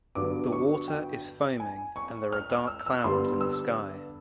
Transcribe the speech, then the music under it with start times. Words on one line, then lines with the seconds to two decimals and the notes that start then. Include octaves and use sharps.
The water is foaming and there are dark clouds in the sky.
0.15 G2 D3 F#3 B3 D6
0.52 C#6
0.88 G5
1.60 G#5
1.96 C#6
2.32 F6
2.50 F6
2.67 E6
2.86 E6
3.04 G2 D3 G3 B3 C6
3.41 E6